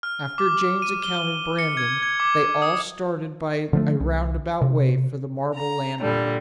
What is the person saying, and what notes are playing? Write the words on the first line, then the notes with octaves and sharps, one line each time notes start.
After Jane's account of Brandon, they all started by a roundabout way for the marble landing.
F6
D6
D#7
G7
C#7
G#6
G#6
D6
D#6
D3 F3 A3
C2
C3
A#5
A#2 D3 G3